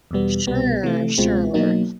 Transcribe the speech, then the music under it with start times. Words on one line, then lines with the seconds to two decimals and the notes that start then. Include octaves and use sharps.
Sure. Sure.
0.11 E2 B2 G3 B3
0.47 C2 B2 G3 B3
0.83 C3 E3 A3
1.18 C#2 B2 G#3 C4 F4
1.54 B2 F#3 A#3 D#4